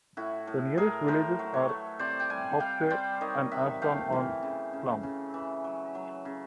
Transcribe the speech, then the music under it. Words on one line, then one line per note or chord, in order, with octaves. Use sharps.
The nearest villages are Hopesay and Aston-on-Clun.
A2 E4 F#4
A2
A2 G#4 A#4
A2 A#4 C5
F#3
B4 C#5
A3
C3 C5 D5
G5
G3 F#5 G#5
G3 F5 G5
G3 C5 D5
D#3 C#5 D#5
C3 E5 F#5
A3 F5 G5
E3
C#3
C#3
C#3
E3
F#3
F#3
C#3